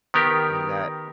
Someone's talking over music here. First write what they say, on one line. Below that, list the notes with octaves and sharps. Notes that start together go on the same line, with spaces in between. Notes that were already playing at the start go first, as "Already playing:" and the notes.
and that
D#3 B3 G4 A#4